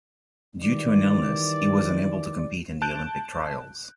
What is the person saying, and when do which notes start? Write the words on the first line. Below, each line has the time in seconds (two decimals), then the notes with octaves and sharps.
Due to an illness, he was unable to compete in the Olympic trials.
0.61 D#3 E3 G3 D5
2.82 A5 F#6 G6 D7